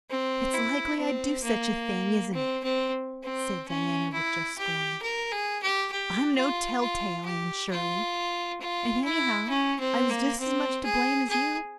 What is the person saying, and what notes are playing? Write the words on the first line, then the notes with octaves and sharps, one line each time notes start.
"It's likely I'd do such a thing, isn't it?" said Diana with just scorn. "I'm no telltale, Anne Shirley, and anyhow I was just as much to blame as you."
C4
E4
C4
A#3
C4
C4
C4
C#4
E4
G4
A#4
G#4
G4
G4
F4
F4
G4
F4
F4
E4
C#4
C4
A#3
C4
G#4
G#4